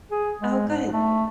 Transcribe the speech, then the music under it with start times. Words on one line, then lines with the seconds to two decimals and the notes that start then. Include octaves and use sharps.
Oh, good.
0.11 G#4
0.41 G#3
0.69 G#2
0.92 A3